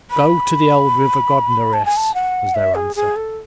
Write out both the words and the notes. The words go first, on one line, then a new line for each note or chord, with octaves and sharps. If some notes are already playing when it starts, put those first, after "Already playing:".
"Go to the old river god Nereus," was their answer.
B5
A5
G#5
A5
F#5
E5
G#4
G#4
A4